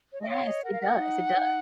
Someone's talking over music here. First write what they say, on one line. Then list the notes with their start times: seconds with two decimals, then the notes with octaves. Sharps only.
Yes, it does, it does.
0.11 C#5
0.20 D#5
0.29 C#5 F5
0.47 D#5
0.63 A#4 F#5
0.73 F5
0.82 F#5
0.99 D#4
1.35 D#4